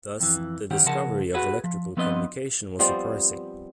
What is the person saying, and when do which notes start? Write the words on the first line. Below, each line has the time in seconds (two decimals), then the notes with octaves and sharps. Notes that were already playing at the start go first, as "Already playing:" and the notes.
Thus, the discovery of electrical communication was surprising.
0.20 F2 E3
0.70 D#3 C#4 G4 F#5
0.85 C#3 F3 G#4 A#4 F#5 A5
1.34 F#4 G#4 B4 F#5
1.64 F3
1.97 F3 B3 C4 D4 B4 D#5
2.79 F3 G3 B3 C4